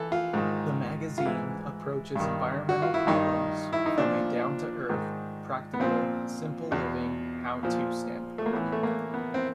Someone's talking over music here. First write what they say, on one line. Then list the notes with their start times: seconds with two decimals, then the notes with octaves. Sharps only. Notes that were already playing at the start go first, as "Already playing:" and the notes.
The magazine approaches environmental problems from a down-to-earth, practical, simple living, how-to standpoint.
Already playing: E3 A4
0.12 F4
0.33 G#2 D#3
1.18 F4
1.25 G#2 E3 E4
2.16 G2 D#3
2.69 F#4
2.82 F4
2.94 E4
3.07 G2 D#3 D#4
3.73 E4
3.86 D#4
3.98 A#2 F3 D4
4.89 G#2 D#3
5.74 B3
5.80 A#2 F3 C4
6.71 E2 B2
7.63 A#2 F3
8.38 A3
8.46 A#3
8.53 A2 E3 B3
8.72 A3
8.83 A#3
9.14 B3
9.34 C4